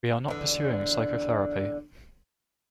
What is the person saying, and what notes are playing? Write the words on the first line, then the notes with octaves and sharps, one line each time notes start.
We are not pursuing psychotherapy.
E2 D3